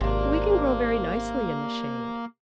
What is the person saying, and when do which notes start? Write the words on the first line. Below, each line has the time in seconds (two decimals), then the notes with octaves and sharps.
"We can grow very nicely in the shade."
0.01 G#1 C3 A#3 D4